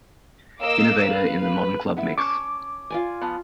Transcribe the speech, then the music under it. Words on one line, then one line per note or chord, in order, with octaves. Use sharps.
Innovator in the modern club mix.
A#3 D#5 F5 D6 E6
B4 F5
B4
B3 E4 E5
C#4 A5 C#6 D6
F4 D5 G#5
F3 B3